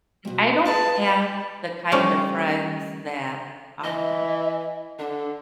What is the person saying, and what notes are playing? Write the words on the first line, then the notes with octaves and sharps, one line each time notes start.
and I don't have the kind of friends that, um,
F2 B2
G#4 B4 F5 A5
G3 A3 C#4
E3 D#5
D3 D4